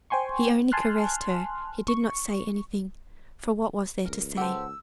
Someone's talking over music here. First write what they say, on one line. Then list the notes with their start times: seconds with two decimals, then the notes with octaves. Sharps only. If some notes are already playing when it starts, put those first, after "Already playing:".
He only caressed her; he did not say anything; for what was there to say?
0.10 C5 G5 G#5 C6 C#6
0.72 G#5 A5 C6 F6 F#6
1.88 C#6
4.05 C#2 A#4
4.37 G4 A4 C5 F#5 A5 E6